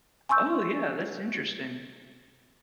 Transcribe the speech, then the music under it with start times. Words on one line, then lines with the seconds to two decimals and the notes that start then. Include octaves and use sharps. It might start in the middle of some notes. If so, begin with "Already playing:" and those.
Oh, yeah, that's interesting.
0.29 G#5 C6 C#6 E6 G6